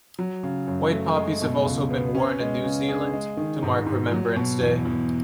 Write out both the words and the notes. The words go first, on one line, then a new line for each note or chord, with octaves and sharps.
White poppies have also been worn in New Zealand to mark Remembrance Day.
F#3
C#3
F#2
A3
G#3
B2
C#2
B3
C#4
G#3
C#3
G#4
G#3
D#3
G#2
G#2
F#3
B2
E2
E2